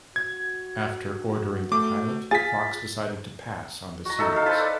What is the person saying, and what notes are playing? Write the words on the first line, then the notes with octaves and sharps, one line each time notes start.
After ordering the pilot Fox decided to pass on the series.
F#4 G#6
A3 D6
F4 G#4 G#5 A6 B6
F#4 A#5
F#3 D#4 A4 E5
A4 F5
B4 C5 A5 B5
B4 D5